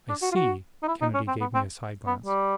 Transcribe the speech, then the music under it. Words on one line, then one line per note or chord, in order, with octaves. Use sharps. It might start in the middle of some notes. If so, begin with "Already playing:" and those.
"I see!" Kennedy gave me a side glance.
D4
F#4
F4
F#4
D#4
E4
D#4
C#4
C4
B3
C4
B3
G3